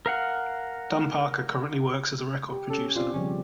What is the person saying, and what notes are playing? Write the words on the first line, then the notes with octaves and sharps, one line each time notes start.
Dan Parker currently works as a record producer.
A#4 F5 F#5
G4
C#4 A4
B2 C4 F4 D5
C#3 F3 G3 C#4